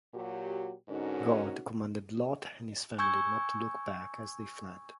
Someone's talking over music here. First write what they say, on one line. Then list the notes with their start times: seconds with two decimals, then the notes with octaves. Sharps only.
God commanded Lot and his family not to look back as they fled.
0.14 A#2 F#3 F#4 G4
0.88 G#2 D3 C#4 D#4 F#4 A#4
2.98 G#5 C#6 E6 G6 G#6